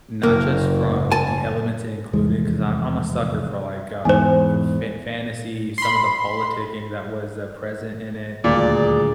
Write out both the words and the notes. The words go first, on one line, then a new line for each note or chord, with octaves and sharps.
not just from the elements in included, 'cause I'm I'm a sucker for, like, uh, a fa fantasy, some of the politicking that was, uh, present in it,
F#1 A#3
G#5 A5
F1 E2 G#3
E2 G#2 C5 G#5
B5 C6
D#1 D2 A#2 G#4 D5